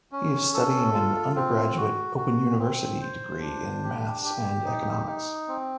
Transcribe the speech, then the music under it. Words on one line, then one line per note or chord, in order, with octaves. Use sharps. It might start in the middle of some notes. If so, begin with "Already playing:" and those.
He is studying an undergraduate Open University degree in maths and economics.
C#4
A4
F4
C4
F#4
F#4
C4
C5
D4
G4
G4
D#4
D#4
C4